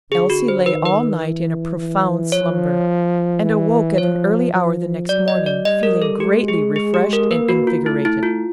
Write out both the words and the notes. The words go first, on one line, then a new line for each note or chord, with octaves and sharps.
Elsie lay all night in a profound slumber, and awoke at an early hour the next morning, feeling greatly refreshed and invigorated.
D3 G#4
F#4
C5
D#3 B4
B4
E3
E3
F3 C#5
E3
F3 C#5
F3
F#3 D5
D#5
D5
G3 D#5
A#4
A4
G#3 G4
G#4
G#4
G4
A#4
A#3 B4
F#4
F4
A3 E4
E4
F4